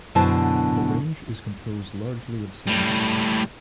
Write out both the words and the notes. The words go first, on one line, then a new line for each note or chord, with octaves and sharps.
The range is composed largely of sandstone.
F#2 B2 D3 E4 C5 A5
A2 G3